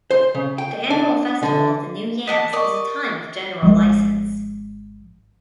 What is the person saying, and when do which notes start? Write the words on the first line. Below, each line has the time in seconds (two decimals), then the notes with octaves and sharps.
The annual festival of the new yams is a time of general license.
0.11 C5
0.35 C#3
0.58 G5
0.90 D4
1.43 D3
2.27 D#5 F#5 A5 D6 B6
2.53 A#4 D5 D#5 C#6
3.62 G#1 F3 G#3